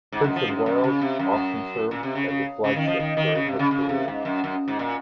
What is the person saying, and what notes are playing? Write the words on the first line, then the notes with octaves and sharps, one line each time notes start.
"Prince of Wales" often served as a flagship during her career.
G#2
F#2
F3
F#2
F#2
C#3
C3
F#2
A#2
C3
C#3
C#3
C#3
D#3
F3
D#3
D#3
C#3
C3
C#3
C#3
C3
G#2
F#2
F#2
G#2
A#2